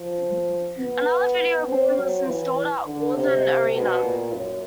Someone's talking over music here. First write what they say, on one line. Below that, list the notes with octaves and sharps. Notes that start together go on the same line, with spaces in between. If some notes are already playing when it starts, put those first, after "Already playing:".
Another video board was installed at Worthen Arena.
Already playing: F3
B3
C4
F#3
E3
D3
C3
B2
A#2
F#2